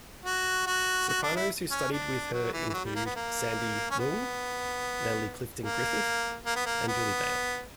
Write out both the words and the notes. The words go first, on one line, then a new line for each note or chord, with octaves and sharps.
Sopranos who studied with her include Sandy Leung, Natalie Clifton-Griffith and Julie Bale.
F#4
F#4
F#4
D4
E4
C#4
D4
F#3
E3
E3
F#3
G3
A#3
B3
A#3
C#4
B3
A#3
A#3
B3
A#3
B3